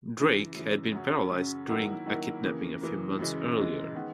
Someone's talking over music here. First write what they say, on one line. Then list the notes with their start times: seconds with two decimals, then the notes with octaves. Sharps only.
Drake had been paralyzed during a kidnapping a few months earlier.
0.17 F#2 C#3 E3
0.54 F#2 C#3 E3
0.92 F#2 C#3 F#3 C#4
1.30 F#2 C#3 F#3 C#4
1.68 D#3 F#3 A#3 E4
2.06 D#3 F#3 A#3 E4
2.43 C#3 E3 A#3
2.81 C#3 E3 A#3
3.19 F#2 C#3 E3 G#3
3.57 F#2 C#3 E3 G#3
3.95 D#3 G#3 B3